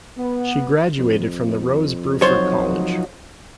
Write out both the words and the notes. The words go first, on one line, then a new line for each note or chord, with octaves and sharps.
She graduated from the Rose Bruford College.
B3
F2
F3 F#3 D#4 F4 C5 C#5